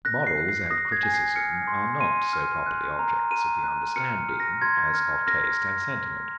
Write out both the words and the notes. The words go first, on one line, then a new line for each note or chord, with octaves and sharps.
Morals and criticism are not so properly objects of the understanding as of taste and sentiment.
F#6 A#6
C7
F#6
C7
D#6 A#6
G#6
G#5
C7
F6 C#7
C6
C6 D#7
F6
F#6
A#5
A#5 D#7
F#6
F6 C#7
F6
A#6
C6 G#6
F6
F6 A#6